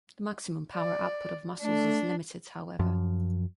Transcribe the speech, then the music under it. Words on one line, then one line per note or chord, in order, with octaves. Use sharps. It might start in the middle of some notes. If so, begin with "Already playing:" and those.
The maximum power output of muscles is limited, however.
D5
A3 D4
F#2 F3